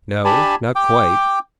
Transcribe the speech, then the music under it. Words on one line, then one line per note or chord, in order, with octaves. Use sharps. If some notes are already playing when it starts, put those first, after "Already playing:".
"No; not quite."
D4 G4 G#5 A5 B5
G5 D6